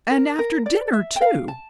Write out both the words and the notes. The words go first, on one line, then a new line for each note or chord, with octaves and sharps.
"And after dinner, too!"
A#4
A#4
D5
E5
G5
F5
A5